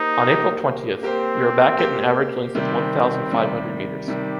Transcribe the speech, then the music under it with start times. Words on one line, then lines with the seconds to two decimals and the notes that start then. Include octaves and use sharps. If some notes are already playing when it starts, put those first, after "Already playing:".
On April twentieth, we were back at an average length of one thousand five hundred meters.
Already playing: A#3 D#4 G4 C5
0.26 A#3 G4 C5
1.02 A#3 C4 G4 C5
1.78 A#3 G4 C5
2.55 C3 D#3 G3 C4
3.31 C3 D#3 G3
4.07 C3 D#3 G3 G4